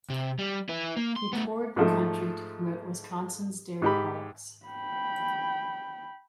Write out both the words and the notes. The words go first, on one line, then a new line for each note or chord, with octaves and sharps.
He toured the country to promote Wisconsin's dairy products.
C3
G3
E4 B4
A#3
C6
A3 B3
G#2 F3 A3
G#2 G4 B5
G5 B5